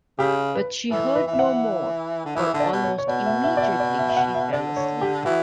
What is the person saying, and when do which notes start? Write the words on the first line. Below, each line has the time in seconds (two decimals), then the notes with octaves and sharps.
But she heard no more, for almost immediately she fell asleep.
0.19 C#3 G4
0.55 B4
0.91 E3 A4
1.15 B4
1.27 E3
1.34 E5
1.39 F#5
2.25 D3
2.35 E3 E5
2.54 D3 E5
2.60 D5
2.72 B2
2.84 C#5
2.98 C#5
3.08 B2 D5
3.26 E5
3.44 E5
3.57 D5
3.62 E5
3.80 D5
3.99 E5
4.09 E5
4.17 F#5
4.35 E5
4.52 D3 D5
4.77 C#5
5.01 G4
5.25 E3 F#4